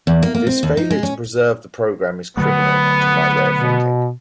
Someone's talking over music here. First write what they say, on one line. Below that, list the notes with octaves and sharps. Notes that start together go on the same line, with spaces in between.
This failure to preserve the program is criminal, to my way of thinking.
E2
A#3
A#3
C4
D#2
D#4
G#3
C#4
D3 F#3 A3 B3
B2